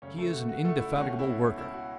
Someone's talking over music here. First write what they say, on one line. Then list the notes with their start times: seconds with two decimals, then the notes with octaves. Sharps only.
He is an indefatigable worker.
0.02 F#2 C#3 A3 C#4 C#5
0.18 A3 A4
0.33 F#4
0.49 F#4
0.65 A3 A4
0.80 E4
0.96 C#2 B2 A3 C#4 F#4
1.19 E4
1.58 E4
1.74 F#4